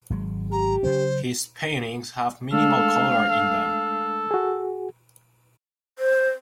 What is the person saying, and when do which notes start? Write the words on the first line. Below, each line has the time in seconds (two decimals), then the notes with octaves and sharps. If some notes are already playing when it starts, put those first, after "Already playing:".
His paintings have minimal color in them.
0.10 G#1 F#3 G#3
0.52 G4 A#5
0.83 C#3 F#3 C#4 C5
2.53 G#3 A3 D4 A4 F5
3.30 A4
4.31 F#4 G#4
5.99 C5